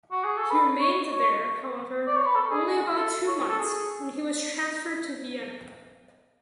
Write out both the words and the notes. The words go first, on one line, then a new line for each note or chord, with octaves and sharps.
He remained there, however, only about two months, when he was transferred to Vienna.
F#4
G#4
A4
B4
C#5
C#5
D5
C#5
B4
A4
G#4
A4
C#5
C#5
A4
G#4